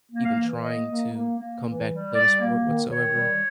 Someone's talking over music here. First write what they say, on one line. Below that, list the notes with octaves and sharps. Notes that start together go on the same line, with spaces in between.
even trying to come back to play the sport whatsoever
A#3
F5
E3
A#3 D#5
A#3
A#3
A#3
E3
G3
G3 D5
A#3
D#3
D#3 C#5
G3